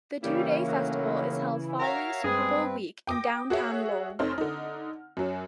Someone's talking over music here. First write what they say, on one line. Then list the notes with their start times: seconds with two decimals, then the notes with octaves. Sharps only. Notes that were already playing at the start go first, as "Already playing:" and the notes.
The two-day festival is held following Super Bowl week in downtown Lowell.
0.23 G2 C#3 E3 G3 A#3 C#4 E4
0.67 A2 D#3 F#3
1.79 F#4 A#4 C#5 E5 F5 A#5
2.24 G2 G#3 C4 G#4 B4
3.07 G5 D6 D#6 A#6
3.50 F#4 G#4 C#5 E5 F#5
4.19 F1 C4 D#4 C5 C#5 F6
4.38 D3 D#4
5.17 F#2 F#3